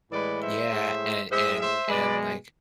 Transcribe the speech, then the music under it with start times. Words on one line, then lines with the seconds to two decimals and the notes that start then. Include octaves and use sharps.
Yeah, and and and, like,
0.11 A2 E3 G#3 B4 D5
0.40 C5 E5
0.70 A2 G#3
1.29 A2 G#3 C5 E5
1.59 C5 E5
1.88 B2 G#3 B4 D5